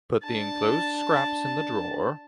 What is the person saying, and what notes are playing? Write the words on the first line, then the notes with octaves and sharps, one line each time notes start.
Put the enclosed scraps in the drawer.
D4 A5